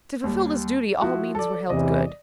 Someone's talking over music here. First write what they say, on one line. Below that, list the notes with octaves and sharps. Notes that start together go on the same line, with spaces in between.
To fulfil this duty all means were held good.
D#2 G3
F3 E4 F#4
A4 D5
E2 C3 E3 D5 D#5